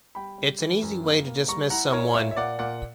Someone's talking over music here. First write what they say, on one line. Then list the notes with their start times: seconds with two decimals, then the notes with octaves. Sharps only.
It's an easy way to dismiss someone.
0.15 G3 G5 B5
0.38 G3
0.60 E3
0.82 F#2
1.04 A#3
1.27 A#3
1.48 G3 A#5 C#6
1.70 E4 F#5 A#5
1.92 E4 A#4 C#5
2.14 A#2 C#5 E5
2.31 E5
2.36 A#2 D5 F#5
2.59 A#2 D5 F#5